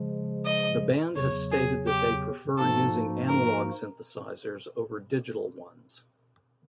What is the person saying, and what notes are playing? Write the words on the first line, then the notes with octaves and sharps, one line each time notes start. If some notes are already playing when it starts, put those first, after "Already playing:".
The band has stated that they prefer using analogue synthesizers over digital ones.
Already playing: C#3 F3 G#3
D#5
E2 C#3 F#3 C#5
G#4
G4
G#2 F3 A#3 D#4 F#4 A4
A#4